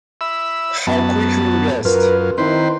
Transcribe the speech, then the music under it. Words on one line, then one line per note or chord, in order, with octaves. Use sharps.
How quickly you guessed!
E5 B5 E6
F#2 B3 A5
F#2 F4 A#4 B4
D#3 C4 E4 B4 C5